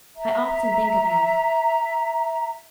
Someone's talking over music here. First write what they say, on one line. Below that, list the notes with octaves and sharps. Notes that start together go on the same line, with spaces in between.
I often think of him.
E5 A#5